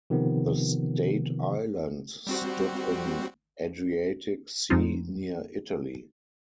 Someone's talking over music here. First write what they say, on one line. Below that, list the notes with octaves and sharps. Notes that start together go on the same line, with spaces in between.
The state island stood in Adriatic Sea near Italy.
C3 D#3 F3 B3
G3 C4 F#4
F2 F3 C4 D#4 F4